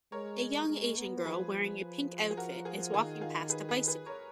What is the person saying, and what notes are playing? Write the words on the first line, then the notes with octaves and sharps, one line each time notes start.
A young Asian girl wearing a pink outfit is walking past a bicycle.
G#3 A#4 C#5
G#3
B3
F3 G#4 B4
G#4
F#4 A#4
F4 G#4
D#3 F4 G#4
F4 G#4
G#4 B4
G#4 B4
G#4 B4
A#4 C#5